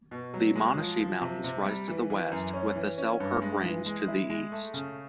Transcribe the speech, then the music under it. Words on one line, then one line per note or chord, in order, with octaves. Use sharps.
The Monashee Mountains rise to the west, with the Selkirk range to the east.
B2
F#3
G#3
F3
F3
C3
C3
G3
E3
E3
F#2
C#4
E3
C#4
G2
G#3
E3
G#3
E4
G#3
A3
C#3